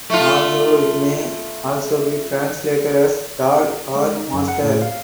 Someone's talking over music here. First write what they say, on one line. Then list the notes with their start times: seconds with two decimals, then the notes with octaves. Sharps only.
Although it may also be translated as "Lord" or "Master".
0.10 A3 F4
3.95 G#3
4.16 D#4
4.33 F#2
4.48 F#5
4.63 A2
4.82 F5